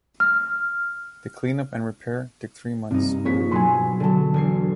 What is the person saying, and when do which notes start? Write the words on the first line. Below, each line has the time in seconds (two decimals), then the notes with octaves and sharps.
The clean-up and repair took three months.
0.20 F6
2.91 G2 C3 D#4
3.25 A#1 C#5 B6
3.51 B2 F#3 B3 G#5 C6
4.00 D3 F#3 A4 A5
4.34 E1 G#6 C7